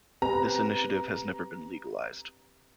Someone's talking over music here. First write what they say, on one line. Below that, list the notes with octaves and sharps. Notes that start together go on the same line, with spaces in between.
This initiative has never been legalised.
C4 G4 B4 A#5